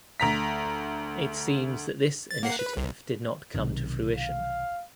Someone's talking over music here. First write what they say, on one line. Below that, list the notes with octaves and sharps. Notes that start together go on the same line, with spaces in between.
It seems that this initiative did not come to fruition.
D2 A#5 B6
A6
A#3 F#5 C7
B4
C2
B1 C3 D#3
F5